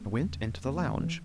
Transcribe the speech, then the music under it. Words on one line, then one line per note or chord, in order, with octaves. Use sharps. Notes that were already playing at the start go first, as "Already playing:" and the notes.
I went into the lounge.
Already playing: G#3 B3
E2 C#3
E2 C#3 A#3 C#4
F#3 A#3
D#3
E3